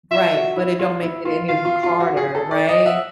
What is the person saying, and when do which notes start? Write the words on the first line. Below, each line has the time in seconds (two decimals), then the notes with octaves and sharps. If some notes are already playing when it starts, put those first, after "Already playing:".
Right, but it don't make it any ha harder. Right?
0.11 F4 E5
0.34 F#4
0.56 E4
0.79 F4
1.02 E4
1.25 F4
1.48 F4 F5
1.65 F4
1.83 F4
2.00 F#4
2.17 G#4
2.35 A4
2.51 D5
2.69 D#5
2.86 E5 F#5